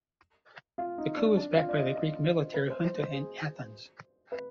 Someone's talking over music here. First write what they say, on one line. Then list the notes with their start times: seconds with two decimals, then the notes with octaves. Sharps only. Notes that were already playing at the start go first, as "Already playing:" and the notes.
The coup was backed by the Greek military junta in Athens.
0.78 F4
0.98 D#4
1.17 D4
1.37 D4
1.57 F4
1.69 D5
1.77 D#5
1.96 D#5
2.25 C5
2.54 B4
2.70 C5
2.84 C5
3.00 C5
3.13 G#4
4.32 B4